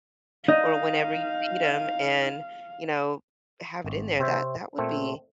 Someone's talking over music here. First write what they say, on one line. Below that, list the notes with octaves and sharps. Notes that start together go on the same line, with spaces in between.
or whenever you feed him and, you know, have it in there. That that would be
D#4 D#5 F5
G#1
C3 C4 C5 C#5 E5
A#2 A3 C4